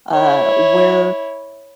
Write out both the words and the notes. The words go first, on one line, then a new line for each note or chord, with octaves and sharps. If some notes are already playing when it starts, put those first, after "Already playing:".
uh, where
E4 C#5